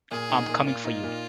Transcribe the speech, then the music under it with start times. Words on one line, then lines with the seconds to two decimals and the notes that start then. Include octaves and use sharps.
I'm coming for you!
0.11 A#2 G#4
0.30 D#4
0.48 A#2
0.66 A#2 F4
0.85 D#4
1.03 A#2